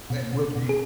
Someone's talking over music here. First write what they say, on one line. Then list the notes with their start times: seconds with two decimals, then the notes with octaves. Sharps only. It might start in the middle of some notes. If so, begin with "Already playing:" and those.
and will she m
0.10 B2
0.33 B2
0.55 B2
0.69 G#4